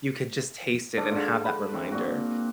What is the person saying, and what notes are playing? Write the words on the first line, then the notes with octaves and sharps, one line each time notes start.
you could just taste it and have that reminder.
G#2 D3 D4
D3 F4
B4 B5
E3 C4
A#2 F#4